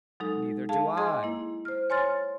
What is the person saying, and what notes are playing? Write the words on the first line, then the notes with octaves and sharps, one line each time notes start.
"Neither do I."
F#3 G#3 D#4 A4
G#4 F5 A5
G#4 D#5 G#5 C6 D6
A#3 E4
C5 F6
C#5 G#5 C6 F6 A6